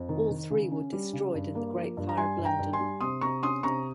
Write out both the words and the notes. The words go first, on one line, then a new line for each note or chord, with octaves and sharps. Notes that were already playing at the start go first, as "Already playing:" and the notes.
All three were destroyed in the Great Fire of London.
Already playing: F2
D#3
D#3
C#3
C#4
G3
C#3
G2
A#3
F3
G2
A#5
G3 G#5 C6
G2
G5 A#5
G2
G#5 C6
G3
C3 C6 D#6
C3 A#5 C#6
C#4 C6 D#6
C3 A#5 C#6